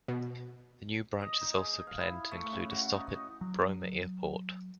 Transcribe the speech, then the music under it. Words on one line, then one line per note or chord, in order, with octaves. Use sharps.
The new branch is also planned to include a stop at Bromma Airport.
B2
D#5
D#4
G#4
F5
E4
A3
C#3
F#4
D#4
D#5
F#3